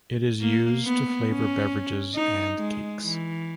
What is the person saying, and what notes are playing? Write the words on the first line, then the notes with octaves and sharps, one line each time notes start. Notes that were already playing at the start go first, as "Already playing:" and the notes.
It is used to flavor beverages and cakes.
A#3
B3
C#4
D#4
G#3
E3